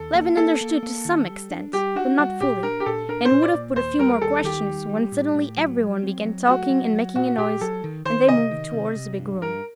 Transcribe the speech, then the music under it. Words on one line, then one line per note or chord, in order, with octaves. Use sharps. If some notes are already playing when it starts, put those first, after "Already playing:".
Levin understood to some extent, but not fully, and would have put a few more questions, when suddenly everyone began talking and making a noise and they moved towards the big room.
Already playing: D#2 A4
A#3
A#3 A4
A#3
A#3
D#3
G3
D4
G3 G4
D4 F#4
G3 F#4
A#2 G4
D4 A#4
G4
A#2 A4
D4 A#4
C5
A#2
D5
A#2
D#2 C5
G3 A#4
D#2 A4
D#3 G4
G3
G3
A2
A2
F#3
F#3
C4
F#3
A3 F#4
F#3
F#3
A#2 F#4
A#2 G4
F#3 A4
D#3
D#3 C5
C3 D#5
D#3
C3
C3
G2
G2 A#4